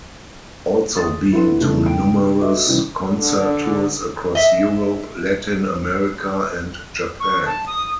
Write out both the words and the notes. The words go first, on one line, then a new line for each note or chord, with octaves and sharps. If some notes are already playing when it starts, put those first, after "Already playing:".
Also been to numerous concert tours across Europe, Latin America and Japan.
C6 C#6 D#6 A6
D4 E4 A4 B4 F#5 C6
C#3 E3 G3 A3 D#4
C#2 D#4 G5 D7
F#4 A4 B4 D#5 E5
C3 D#3 E3 G3 C#4
D3
D#5 E5
C#6
A5
D#6